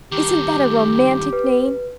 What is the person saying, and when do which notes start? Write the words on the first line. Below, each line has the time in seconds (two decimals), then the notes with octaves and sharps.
Isn't that a romantic name?
0.12 G2 D#3 G4
1.33 B4